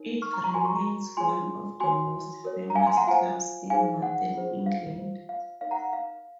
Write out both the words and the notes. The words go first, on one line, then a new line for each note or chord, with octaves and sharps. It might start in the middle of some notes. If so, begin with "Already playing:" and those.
It remains one of the most famous clubs in Northern England.
Already playing: D#4 A#4 C#5
C#6 F6
A#5 C#6
A#5 C#6
F#4 A#4 C#5 G#5 C6
A#5 C#6
A#5 C#6
F4 G#4 C#5 G#5 C6
F#4 C#5 G#5 C6
F#4 A#4 C#5
A#5
F5 G#5
G#5 C6
F#5 A#5
F4 C5 F5 G#5
D#4 G#4 C5 F5 G#5
F#5
F4 G#4 C5
F5
F4 C5
F5
D#4 A#4 C#5 F5
F#5 A#5
F5